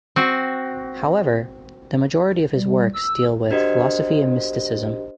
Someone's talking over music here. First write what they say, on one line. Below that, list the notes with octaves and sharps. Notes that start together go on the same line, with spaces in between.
However, the majority of his works deal with philosophy and mysticism.
C4 F#4
G3
E6
D4 F#4 G4 A#4 C5 D#5